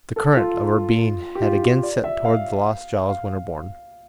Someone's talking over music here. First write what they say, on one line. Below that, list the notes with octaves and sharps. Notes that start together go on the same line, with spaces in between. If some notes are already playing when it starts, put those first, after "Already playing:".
The current of her being had again set towards the lost Giles Winterborne.
A4
F4
G4
F4
F4
D5
E5
F5
F5